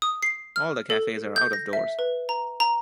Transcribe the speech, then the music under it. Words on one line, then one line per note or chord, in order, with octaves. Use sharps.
All the cafes are out of doors.
D#6
C7
F6
A4
G6
A#6
E5
B4
A#5
A#5